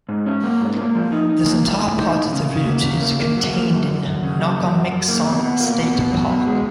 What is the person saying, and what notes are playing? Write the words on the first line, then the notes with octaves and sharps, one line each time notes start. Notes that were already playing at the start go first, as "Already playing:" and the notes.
This entire part of the route is contained in Nockamixon State Park.
G#2
C#4
A#3
G#2
A#3
F3
D#4
D#4
A#3
A2
A2
D#4
A2
C#3
C#3
A#3
C#3
A#3
A#3
F#3
A#3
F#2
F#2
F#2
C#3
F#3
F#2
F#2
F#2
A#3
B2
B2
A#3
B2
B2
F#3
B2
G#3